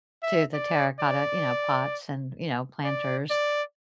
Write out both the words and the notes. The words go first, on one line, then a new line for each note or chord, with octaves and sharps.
to the terracotta, you know, pots and, you know, planters,
E5
D5
D5
D5
D5